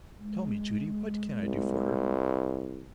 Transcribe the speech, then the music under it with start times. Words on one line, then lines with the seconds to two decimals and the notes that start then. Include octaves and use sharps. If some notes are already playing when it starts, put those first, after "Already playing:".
"Tell me, Judy, what CAN I do for her?"
0.18 G#3
1.41 C2